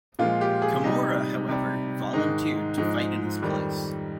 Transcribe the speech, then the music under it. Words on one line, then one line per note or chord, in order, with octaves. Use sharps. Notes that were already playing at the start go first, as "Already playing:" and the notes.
Kimura, however, volunteered to fight in his place.
A#2 F3 G#3 F4
G4
G#4
C3 G3 D#4
C3 G3
G#2 D#3 G#3 D#4
G#2 F3 G#3 D#4
F2 D#3 G3